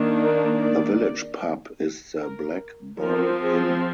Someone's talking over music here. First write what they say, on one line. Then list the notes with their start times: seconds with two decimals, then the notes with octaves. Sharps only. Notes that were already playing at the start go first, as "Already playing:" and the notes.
The village pub is the Black Bull Inn.
Already playing: D#3 A#3 D4
0.53 D5
2.18 A#4
3.00 F3 C4 A#4
3.42 G#4